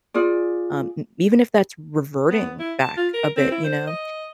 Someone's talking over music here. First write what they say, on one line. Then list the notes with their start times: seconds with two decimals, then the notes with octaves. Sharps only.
um, n even if that's reverting back a bit, you know?
0.14 F4 G#4 D5
2.30 B3
2.59 E4
2.80 A5
2.97 F4
3.14 A#4
3.36 C4
3.52 E4
3.64 C5
3.87 D#5